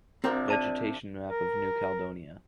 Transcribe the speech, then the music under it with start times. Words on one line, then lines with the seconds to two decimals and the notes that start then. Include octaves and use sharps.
Vegetation map of New Caledonia.
0.24 C3 F3 C4 D4 A#4 G5
0.48 D5 A5 D6
1.29 A#4